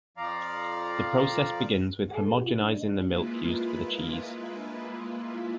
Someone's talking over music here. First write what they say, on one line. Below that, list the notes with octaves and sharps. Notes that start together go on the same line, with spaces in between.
The process begins with homogenizing the milk used for the cheese.
F2 F3 D5 F5 A#5
G#3 A#3 E4 F4 B4